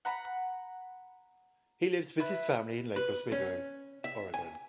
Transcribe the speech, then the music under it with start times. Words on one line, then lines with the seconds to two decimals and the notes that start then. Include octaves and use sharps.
He lives with his family in Lake Oswego, Oregon.
0.05 F#5 A#5 B5
2.20 E4 B4
2.96 B4
3.32 C#4
4.04 E5
4.34 G#5